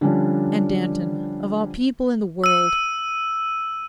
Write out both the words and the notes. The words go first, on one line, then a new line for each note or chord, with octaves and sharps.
'And Danton, of all people in the world!
D3 F3 G3 C#4 D4
E6 D#7